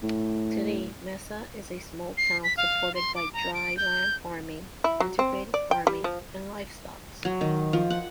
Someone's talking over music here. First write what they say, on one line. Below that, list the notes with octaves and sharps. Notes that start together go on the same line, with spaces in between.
Today, Mesa is a small town supported by dryland farming, irrigated farming, and livestock.
A2
C7
B6
F5
C6
D6
A#5
D7
G6
E4
F#3
C4
D5
G5
G3
F3
F#3
D#3
F3
F#5